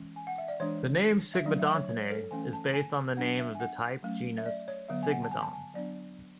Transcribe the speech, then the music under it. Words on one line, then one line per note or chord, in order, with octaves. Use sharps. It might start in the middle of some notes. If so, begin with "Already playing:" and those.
The name "Sigmodontinae" is based on the name of the type genus, "Sigmodon".
Already playing: E3 G#3 C#4
G#5
F#5
E5
D5
E3 G#3 D4 C#5
E5
F#3 A3 D4 D5
E5
C#5
C#5
A4
E3 A3 C#4 G#5
A5
G#5
F#3 B3 D4 F#5
E5
G#5
F#5
F#3 A3 C#4
E5
D5
C#5
D3 F#3 B3 E5
G#5
F#5
A5
G#5
A5
G#5
F#3 B3 D4 D5